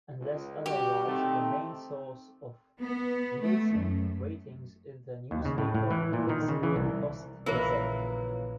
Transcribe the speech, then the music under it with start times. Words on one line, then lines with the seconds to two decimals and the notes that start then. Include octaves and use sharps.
Unless otherwise, the main source of Nielsen ratings is the newspaper "Pittsburgh Post-Gazette".
0.19 C#2
0.66 G3 F#4 G4
1.06 D#3 A3 C4
2.81 B3
3.43 A3
3.75 F#2
5.31 D#2
5.45 C#3
5.58 A2
5.75 A2
5.91 E3
6.13 A#2
6.29 D#3
6.49 C#3
6.63 E3
6.76 C2
7.46 A#1 C#3 E3 F4 A#4 B4 C#5